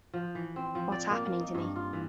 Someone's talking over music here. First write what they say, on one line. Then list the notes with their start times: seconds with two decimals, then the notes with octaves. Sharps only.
What's happening to me?
0.13 F3
0.35 E3
0.56 C4
0.75 F3
0.92 D5
1.11 A#3
1.26 A#3
1.40 D#4
1.55 G2
1.76 F4
1.93 E3